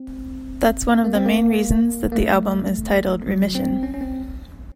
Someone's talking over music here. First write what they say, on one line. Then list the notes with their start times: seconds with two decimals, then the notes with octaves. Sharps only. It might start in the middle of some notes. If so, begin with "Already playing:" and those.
That's one of the main reasons that the album is titled Remission.
Already playing: C4
1.04 A#3
1.15 C4
1.26 A#3
2.12 A#3
2.15 A3
3.27 F#3
3.55 C4
3.83 C#4
3.94 C#4
4.01 C4